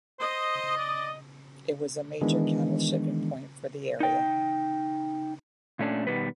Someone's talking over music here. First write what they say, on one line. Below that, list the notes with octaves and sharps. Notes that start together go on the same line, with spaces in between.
It was a major cattle shipping point for the area.
C5 D#5
D5
D#3 E3 G#3 B3 D4
D#4 G5
A#2 A3 C#4 D4
B2 D#3 G3 B3 B4